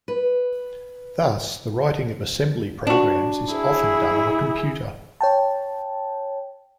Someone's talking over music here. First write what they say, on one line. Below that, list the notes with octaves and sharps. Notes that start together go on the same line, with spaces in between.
Thus, the writing of Assembly programs is often done on a computer.
B4
D4 F#4
E4 G#4
C#5 G5 A5